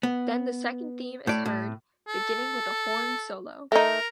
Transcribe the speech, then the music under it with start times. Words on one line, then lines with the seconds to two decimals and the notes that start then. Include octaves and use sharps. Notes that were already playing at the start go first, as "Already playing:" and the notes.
Then the second theme is heard, beginning with a horn solo.
0.03 B3
1.27 A2 D5
1.46 A2
2.08 A4
3.72 A3 D#4 A#4